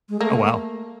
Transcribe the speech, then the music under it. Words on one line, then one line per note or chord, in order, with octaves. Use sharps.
Oh, wow.
G#3
A3 A#3